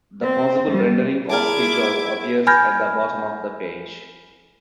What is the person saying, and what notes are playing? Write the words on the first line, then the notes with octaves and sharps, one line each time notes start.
The possible rendering of Tijou appears at the bottom of the page.
C4
G3
E4 G#4 A#4 D5 A5 D6 G#6
G#5 B5 F6 G6 G#6 A#6